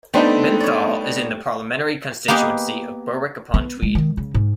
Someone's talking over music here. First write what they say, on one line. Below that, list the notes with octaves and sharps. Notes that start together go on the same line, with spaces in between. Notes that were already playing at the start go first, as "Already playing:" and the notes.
Benthall is in the parliamentary constituency of Berwick-upon-Tweed.
G3 A3 B3 C4 D4 D#4
C#5 D5
A#3 B3 G4 G#4 D#5
B3
G#3
D#3
C#3
G#2